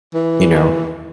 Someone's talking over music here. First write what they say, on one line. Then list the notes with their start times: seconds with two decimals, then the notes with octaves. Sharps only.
you know,
0.14 E3